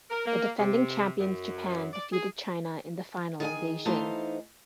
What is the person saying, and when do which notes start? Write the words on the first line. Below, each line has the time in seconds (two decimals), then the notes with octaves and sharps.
The defending champions Japan defeated China in the final in Beijing.
0.10 A#4
0.26 A#3
0.59 C3
1.19 F#2
1.93 D5
2.13 G#4
3.40 D#3 G#4 F#5 G#5
3.85 E3 A3 B3 D#4 C5 F5